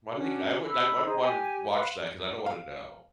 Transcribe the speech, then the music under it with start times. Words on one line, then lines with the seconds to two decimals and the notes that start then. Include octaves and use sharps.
Why do they th I wouldn't I I wouldn't wanna watch that 'cause I don't wanna know.
0.15 C#4 D4 F#4
0.67 B5 E6
1.05 D#4 G#4 C5 D#5
1.20 G4 G#5
1.74 B4 F5 F#5 C6
2.46 F5